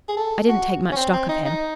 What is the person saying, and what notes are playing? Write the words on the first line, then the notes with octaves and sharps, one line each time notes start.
I didn't take much stock of him.
G#4
A4
F#4
C#4
C4
C4
D#4
D#4